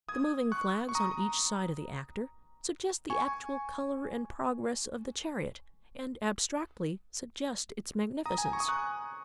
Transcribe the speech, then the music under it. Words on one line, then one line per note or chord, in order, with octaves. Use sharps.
The moving flags on each side of the actor suggest the actual color and progress of the chariot, and abstractly suggest its magnificence.
D#6 G#6
C#6 F#6
C#6
A#5 D#6
G#5 C#6
A#5 D#6
G#5
A#5
C#6
D#6
C#6 F#6